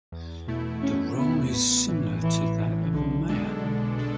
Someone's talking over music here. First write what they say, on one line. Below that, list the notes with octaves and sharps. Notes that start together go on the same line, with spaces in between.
The role is similar to that of a mayor.
E2
B2 A3 E4
E2 C#4
B2 A3 B3 E4
A1 B3
A2 E3
A1 E3
A2 E3
B1 D3
B2 G#3 D4 A4
B1 D3
B2 G#3 D4 A4